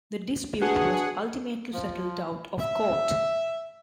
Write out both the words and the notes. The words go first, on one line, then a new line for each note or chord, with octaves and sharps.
The dispute was ultimately settled out of court.
D4 F#4 G#4 B4 F#5
F3
E5